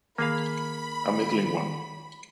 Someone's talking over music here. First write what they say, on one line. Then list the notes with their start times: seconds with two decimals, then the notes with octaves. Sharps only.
A middling one?
0.18 D#3 A#3 G#4 F5 B5